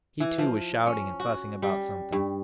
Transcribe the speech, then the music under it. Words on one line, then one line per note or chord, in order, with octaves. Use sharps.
He, too, was shouting and fussing about something.
E3
F3
C#4
F#4
G3
G2